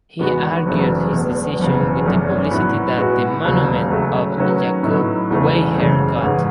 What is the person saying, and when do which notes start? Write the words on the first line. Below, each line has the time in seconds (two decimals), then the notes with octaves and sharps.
He argued his decision with the publicity that the monument of Jakub Weiher got.
0.19 E2 D#3 G#3 B3 F#4
0.66 F#1 E2 C#3 F#3 A3
1.12 E1 E2 B2
1.59 F#1 E2 C#3
2.05 G#1 F#2 D#3 A3 C#4
2.51 A2 F#3 B3 F#4 B4
2.98 A2 G#3 B3 F#4
3.44 E1 D#2 C#3 F#3
3.90 C#3 F#3 A3 C#4 F#4
4.37 D#3 F#3 C#4 F#4 B4
4.83 A2 F#3 B3 D#4 A4
5.30 E1 E2 C#3 E3 A3
5.76 F#1 F#2 C#3
6.23 A1 G#2 D#3